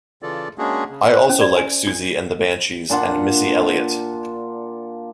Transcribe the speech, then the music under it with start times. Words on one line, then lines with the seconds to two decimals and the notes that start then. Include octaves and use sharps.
I also like Siouxsie and The Banshees and Missy Elliott.
0.23 C#3 E3 F4 A4 D5
0.58 G#3 A#3 C#4 D4 F#4 G#4
0.90 C#3
1.13 C5
1.29 C#4
1.41 D5
1.57 G#5
1.87 D4
2.90 A#2 D4 F4 F#5